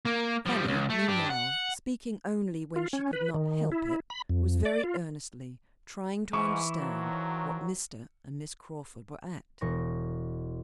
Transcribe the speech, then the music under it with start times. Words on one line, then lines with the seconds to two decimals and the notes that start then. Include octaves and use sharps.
Fanny, meanwhile, speaking only when she could not help it, was very earnestly trying to understand what Mr. and Miss Crawford were at.
0.05 A#3
0.46 F3 G3
0.64 C#2 F#2
0.90 A3
1.08 D4 G4
1.30 F#5
2.76 F4
2.93 C#4
3.13 B4
3.34 D#3
3.72 E4
4.10 B5
4.29 F2
4.65 D5
4.84 F4
6.33 G#2 E3 E4 C#6 D6
6.78 D#3 F3 F#3
9.61 E1 C#6 A#6